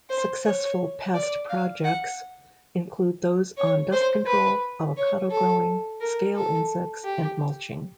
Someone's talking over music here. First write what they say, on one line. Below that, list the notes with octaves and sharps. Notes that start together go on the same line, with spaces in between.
Successful past projects include those on dust control, avocado growing, scale insects, and mulching.
C5
C#5
D5
F5
F#5
C#5
C5
B4
C#5
A4
A#4
A4
G4